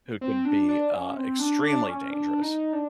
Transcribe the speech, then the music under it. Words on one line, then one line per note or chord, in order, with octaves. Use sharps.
who can be, uh, extremely dangerous,
C4
D4
D4
C#4
C4
D4
D4
C#4
D4
D#4
D4